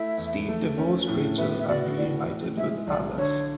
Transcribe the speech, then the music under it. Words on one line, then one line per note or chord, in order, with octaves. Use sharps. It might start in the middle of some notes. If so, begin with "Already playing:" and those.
Steve divorced Rachel and reunited with Alice.
Already playing: A3 E4 E5
E2
A3
C#4
A2
B3 E5
E5
F#4 D5
A2 D5
E3
G#3 E5
B1 D5
D3 C#5